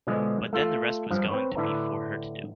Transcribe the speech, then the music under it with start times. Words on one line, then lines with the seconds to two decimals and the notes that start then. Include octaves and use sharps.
But then the rest was going to be for her to do.
0.07 B2 D3 F3 G#3
0.53 A3 F4
1.10 G2 F3
1.29 C4 B4 C#5
1.55 A2 D3 E4 B4 A#5